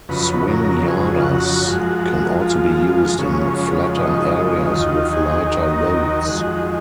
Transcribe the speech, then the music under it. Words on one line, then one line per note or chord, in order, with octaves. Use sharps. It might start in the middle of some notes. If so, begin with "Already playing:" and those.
Swing yarders can also be used in flatter areas with lighter loads.
F2 C#3 F#3 B4
A#4
G#4
F4
F#4
F#2 F3 G#3
F4
F#2 C#3 F3 G#3 C#4
D#4
D#4
D#4
D#2 D#3 F#3 F4
G#4
A#4
F2 D#3 G#3 F#4